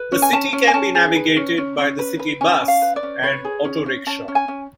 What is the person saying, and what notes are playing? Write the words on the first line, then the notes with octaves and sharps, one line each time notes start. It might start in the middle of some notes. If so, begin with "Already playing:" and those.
The city can be navigated by the city bus and auto rickshaw.
Already playing: B4
C#4
G#5
C#4 A5
C#4
G#5
C#4 A5
G#4
B4
C#4
C#4
C#4
B4
B4
C#4 G#5
C#4
F5
B4
D5
C#4
B4 C#5
G#4
C#4
C#4
C#4 A5
C#4
G#5
C#4